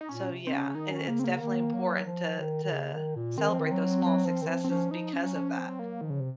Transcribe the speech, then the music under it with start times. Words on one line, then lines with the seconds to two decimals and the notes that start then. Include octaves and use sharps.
so yeah, i it's definitely important to to celebrate those small successes because of that.
0.01 D#4
0.09 A#2 C#4
0.32 C3
0.47 C4
0.53 C#3 C#4
0.67 C#3
0.75 D#3 D#4
0.91 C#4
1.07 C#3 A#3
1.19 C4
1.24 A#3
1.41 D#3
1.74 F#3
2.06 F3
2.40 D#3
2.63 D#3
2.72 C#3
2.94 D#3
3.16 A#2
3.38 D#3 C4
3.49 F3
3.59 D#3
3.71 F#3
4.04 F#3
4.26 F3
4.42 D#3
4.47 F3
4.64 C4
4.69 F3 C#4
4.91 F3 D#4
5.13 C#4
5.25 F#3
5.35 F3 C#4
5.58 C4
5.68 F#3
5.79 A#3
6.01 D#3 F3
6.10 C#3
6.20 C3